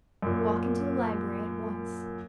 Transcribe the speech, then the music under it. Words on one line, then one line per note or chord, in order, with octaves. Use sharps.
"Walk into the library at once."
F#2 A#2